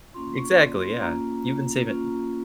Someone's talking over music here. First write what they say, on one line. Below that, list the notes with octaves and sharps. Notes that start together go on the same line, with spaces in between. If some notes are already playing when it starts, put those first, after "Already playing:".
Exactly, yeah, you've been saving
A#3 C#4 F4 C6
C#6
C6
C6
A#3 C#4 F4 A#5
A#3 C#4 F4